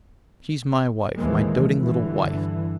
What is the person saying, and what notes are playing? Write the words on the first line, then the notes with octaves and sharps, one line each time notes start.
She's my wife, my doting little wife.
D#2 A#2 E3 F3 G#3 A#3
G2 D3 E3